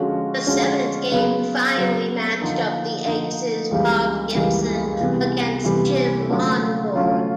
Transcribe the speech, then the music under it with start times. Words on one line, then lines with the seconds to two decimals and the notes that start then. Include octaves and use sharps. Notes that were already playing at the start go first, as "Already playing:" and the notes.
The seventh game finally matched up the aces, Bob Gibson against Jim Lonborg.
Already playing: D3 F3 G#3 C#4 F#4
0.46 D3 F3 G#3 C#4 F#4
1.11 C#3 F#3 B3
1.75 C#3 F#3 B3
2.41 D3 F3 A#3 D#4
3.05 D3 F3 A#3 D#4
3.71 C#2 C#3 E3 G3 A#3
4.35 C#2 C#3 E3 G3 A#3
5.00 C3 E3 G3 B3
5.64 C3 E3 G3 B3
6.29 D3 F#3 A3 C#4 F4
6.94 D3 F#3 A3 C#4 F4